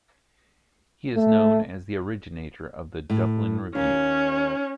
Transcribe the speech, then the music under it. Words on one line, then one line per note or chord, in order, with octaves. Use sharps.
He is known as the originator of the "Dublin Review".
A3
A2
D#2 C#4